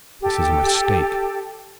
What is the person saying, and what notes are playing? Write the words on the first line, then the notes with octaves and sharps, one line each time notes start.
This is a mistake.
G4 A4